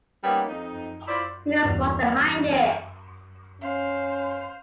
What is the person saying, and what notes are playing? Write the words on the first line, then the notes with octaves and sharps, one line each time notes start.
Who knows what's behind it.
G3 A#3 B3 C#4 D#4
F2 D#4
E4 F4 C5 D5
E2 G2 B2 D4 F6
C#4 C5 F5